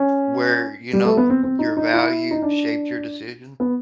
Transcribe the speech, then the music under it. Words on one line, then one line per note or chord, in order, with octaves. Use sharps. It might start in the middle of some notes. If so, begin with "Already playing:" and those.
where, you know, your value shaped your decision?
Already playing: C#4
G3
A3
B3
C4
C4
D#4
D#4
E4
D#4
D4
B3